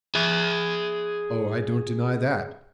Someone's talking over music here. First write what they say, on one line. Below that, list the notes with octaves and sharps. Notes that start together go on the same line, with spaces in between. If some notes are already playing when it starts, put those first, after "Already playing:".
"Oh, I don't deny that."
G#4 E5